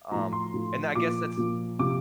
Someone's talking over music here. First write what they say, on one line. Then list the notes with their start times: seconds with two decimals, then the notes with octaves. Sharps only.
Um, and then I guess that's
0.11 A2 F3 A#5
0.33 C6
0.54 A2 F3
0.95 A#2 F3 D6
1.37 A#2 F3
1.79 C3 F3 D6